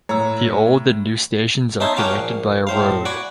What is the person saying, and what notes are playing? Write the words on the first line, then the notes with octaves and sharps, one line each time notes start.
The old and new stations are connected by a road.
A2 C#5 A#5 E6
C#4 D#4 E5 A5 C6
C#4 F#4 G4 F5 A5
A#1
A2 C5 F5
F#4 D5 G#5 B5